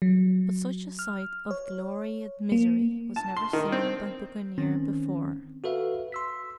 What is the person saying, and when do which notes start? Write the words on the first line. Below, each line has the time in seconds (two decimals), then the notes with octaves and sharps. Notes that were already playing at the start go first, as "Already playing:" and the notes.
But such a sight of glory and misery was never seen by buccaneer before.
0.02 F#3
0.99 F6
1.51 C#5
2.52 A#3
3.16 A5
3.37 C6
3.53 D#3
3.72 C4
4.58 D#3 C4 C#4
5.64 F#4 A4 B4 E5 F5
6.12 C6 E6 B6